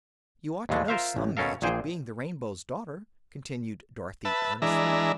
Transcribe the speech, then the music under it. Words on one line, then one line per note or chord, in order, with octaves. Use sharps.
"You ought to know SOME magic, being the Rainbow's Daughter," continued Dorothy, earnestly.
D#2 A#2 E3 G#3 A3
F4 A#4 C5 E5 F5
A1
B2 A3 C#4 A4 A#4 F5
A#1 A#2 G#4 C5 G5
B4 E5 A5
E3 G#3 D4 E5 A#5